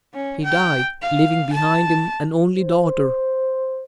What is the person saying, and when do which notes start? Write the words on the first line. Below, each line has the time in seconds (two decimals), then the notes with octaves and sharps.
He died, leaving behind him an only daughter.
0.14 C#4
0.44 G5
1.02 F5
1.53 A5
2.56 C5